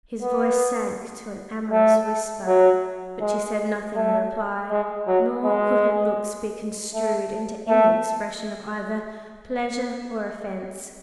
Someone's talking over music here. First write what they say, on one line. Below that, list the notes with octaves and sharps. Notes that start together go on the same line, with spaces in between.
His voice sank to an amorous whisper; but she said nothing in reply, nor could her looks be construed into any expression of either pleasure or offence.
B3
A3
F#3
G#3
A3
G#3
F#3
G#3
A3
A3